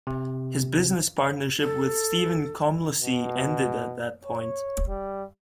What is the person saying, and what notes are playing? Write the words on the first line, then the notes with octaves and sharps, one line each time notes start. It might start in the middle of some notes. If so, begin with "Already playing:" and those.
His business partnership with Stephen Komlosy ended at that point.
C3
A4
B2
C#5
G3